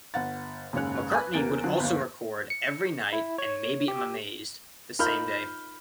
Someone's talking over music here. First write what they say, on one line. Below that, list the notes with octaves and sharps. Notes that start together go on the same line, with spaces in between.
McCartney would also record "Every Night" and "Maybe I'm Amazed" the same day.
G1 F#5 A6
F#1 D#2 G#2 C#4 C#5 F#6
B4 G#5 B5 F#6
E2 A#3 A6 D7
D3 F3 F#3 F#6
G1 D#2
C#7
E4
C#5
G4
D#4 F4 A#4 B5 F6 G6